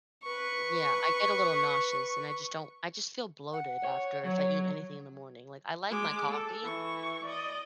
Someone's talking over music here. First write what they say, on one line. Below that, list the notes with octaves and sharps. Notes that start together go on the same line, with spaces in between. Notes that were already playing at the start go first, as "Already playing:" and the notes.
Yeah, I get a little nauseous, and I just don't I just feel bloated after if I eat anything in the morning, like, I like my coffee,
B4 C#6
F#5
C#5
F#3 C#5
G#3 D6
A4
E3 C#6
D5 D#5